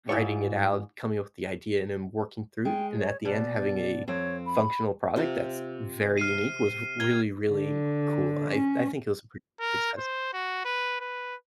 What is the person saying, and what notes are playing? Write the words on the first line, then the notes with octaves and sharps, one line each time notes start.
writing it out, coming up with the idea, and then working through it, and at the end, having a functional product that's very unique was really, really cool. I I think it was a pretty success.
G#2 E4 F4 C#5
G#3 G5
C#5
B2 D5
F2 C4 C#5
B5
C3 F4
F6 C7 D#7
A#4 G5 G#6
D3
C#4
A#4
C5
F#4
B4
B4